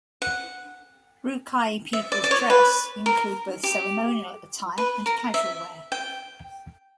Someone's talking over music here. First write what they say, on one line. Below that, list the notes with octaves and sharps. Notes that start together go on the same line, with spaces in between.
Rukai people's dress include both ceremonial attire and casual wear.
F#5
E5
D5
D5
C#5
B4
A#4
G4
B4
A#4
E5
G5